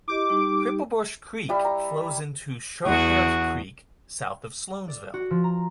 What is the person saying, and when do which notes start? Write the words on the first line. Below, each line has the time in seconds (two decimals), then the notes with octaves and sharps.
Cripplebush Creek flows into Schoharie Creek south of Sloansville.
0.08 E4 G4 D#5 D6
0.30 G3 D#4 G4
1.49 G3 E4
1.65 A#5
2.84 E2 F#4 G#4
4.88 D5
5.14 F#4
5.31 F3
5.44 A#5